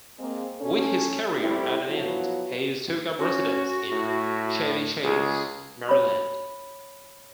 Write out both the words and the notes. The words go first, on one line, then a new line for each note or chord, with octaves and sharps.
With his career at an end, Hays took up residence in Chevy Chase, Maryland.
G#3 A#3 C4
C#4 A4
A2 G3 A3 C4 E4
F3 F#3 B3 E4 F#4
C#4 F#4
A2
C#2 G#4
C#5 B5